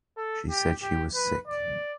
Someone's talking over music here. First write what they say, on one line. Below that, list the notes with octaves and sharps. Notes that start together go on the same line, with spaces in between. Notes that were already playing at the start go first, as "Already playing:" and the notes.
She said she was sick.
A4
G4
G4
B4
D5